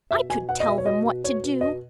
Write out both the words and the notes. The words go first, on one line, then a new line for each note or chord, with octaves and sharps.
"I could tell them what to do."
B2 E5
B2 G#5
B2 F#5
D#5
B2 E5
C#5
B2 D#5
B2
B2 C#5
B2
B2 D#5